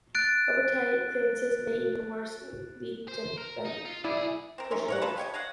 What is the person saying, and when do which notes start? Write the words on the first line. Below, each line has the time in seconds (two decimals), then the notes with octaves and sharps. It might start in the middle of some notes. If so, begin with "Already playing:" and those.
Over-tight clearances may, even worse, lead to bent pushrods.
0.15 F#6 A6 D7
3.08 C5
3.38 A#4
3.65 D#4
3.85 F4
4.04 B1 E4 G#4 D5
4.58 C4 A#4
4.71 C#4 D#4 E5 C6
4.88 A#4 C#5 F#5
5.02 F4 A4 B4
5.18 G4 C#5 D#5
5.34 C#5 D#5 F5 F#5